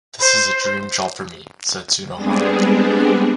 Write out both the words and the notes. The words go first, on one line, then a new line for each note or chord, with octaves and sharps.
"This is a dream job for me," said Sunohara.
C5
G3 G#3 B3 C4 D4 G#4